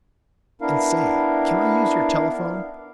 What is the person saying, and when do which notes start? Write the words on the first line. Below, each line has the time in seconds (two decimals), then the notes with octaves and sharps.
'And say, can I use your telephone?'
0.61 B3 D4 E4 A#4 F5